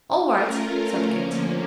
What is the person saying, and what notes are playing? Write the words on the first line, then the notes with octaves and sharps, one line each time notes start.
"All right," said Kit.
A3 C#4 F4 A#4
D3 F3 A#3 C#4